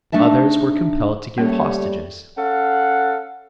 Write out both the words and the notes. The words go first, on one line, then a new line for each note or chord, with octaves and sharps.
Others were compelled to give hostages.
A3 D4 D#4 E5 A5
G3 A3 A#3 C#4 A#4 C#5
C#4 A4 F5 F#5